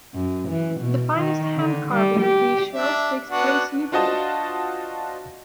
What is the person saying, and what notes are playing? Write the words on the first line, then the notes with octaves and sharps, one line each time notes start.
The finest hand-carving of these shells takes place in Italy.
F#2
E3
B2
D#3
D3
G3
G4
D4 E5
B3 D4 F#4
D4 F4 F#4 C5 D#5 A5